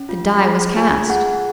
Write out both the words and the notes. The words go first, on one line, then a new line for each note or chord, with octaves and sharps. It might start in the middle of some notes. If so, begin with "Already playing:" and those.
The die was cast!
Already playing: C#4
F4
G#4
F4 G#5
G#4 F#5